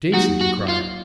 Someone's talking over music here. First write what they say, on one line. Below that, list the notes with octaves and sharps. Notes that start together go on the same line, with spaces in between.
"Jason!" he cried out.
F#3 A#3 D#4 F#4 G4
F#4
F4